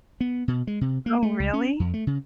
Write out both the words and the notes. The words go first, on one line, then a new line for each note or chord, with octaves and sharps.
Oh, really?
B3
B2
G#3
C3
A#3
A3
C#2
C#4
F2
A3
C#3